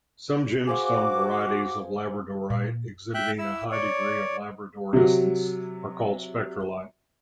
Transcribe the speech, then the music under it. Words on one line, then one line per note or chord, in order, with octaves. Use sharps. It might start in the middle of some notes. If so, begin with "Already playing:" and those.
Some gemstone varieties of labradorite exhibiting a high degree of labradorescence are called spectrolite.
F#4 G#4 C5 F5 D6
A#2
E5 G5 F#6
E4 E6
C#5 D5
C3 F#3